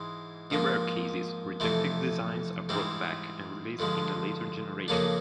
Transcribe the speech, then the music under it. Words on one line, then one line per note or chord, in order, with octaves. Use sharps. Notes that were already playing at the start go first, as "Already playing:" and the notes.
In rare cases, rejected designs are brought back and released in a later generation.
Already playing: G#2 E3 G#3
G#2 F3 A#3
F2 C3 E3 A3
G#2 E3 G3 C4
G2 D3 F3 G#3
F2 C#3 F#3 A#3 D4